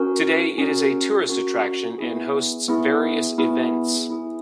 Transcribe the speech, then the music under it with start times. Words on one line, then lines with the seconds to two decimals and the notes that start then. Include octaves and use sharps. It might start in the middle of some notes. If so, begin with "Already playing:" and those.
Today, it is a tourist attraction and hosts various events.
Already playing: C#4 F#4 A#4
0.58 C#4 F#4 A#4
1.29 C#4 F#4 A#4
1.98 B3 E4 G#4
2.68 B3 E4 G#4
3.38 B3 E4 G#4
4.09 B3 E4 G#4